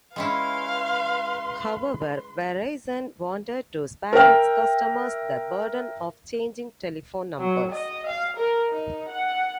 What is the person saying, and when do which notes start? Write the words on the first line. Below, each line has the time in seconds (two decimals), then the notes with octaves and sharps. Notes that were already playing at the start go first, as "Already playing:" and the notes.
However, Verizon wanted to spare its customers the burden of changing telephone numbers.
0.16 G#3 C#4 E4 B4 F5 C6
4.13 A#4 E5 G5 F6
7.39 F#3
7.71 D#5
8.07 F5
8.37 A#4
8.69 D#4
9.09 F#5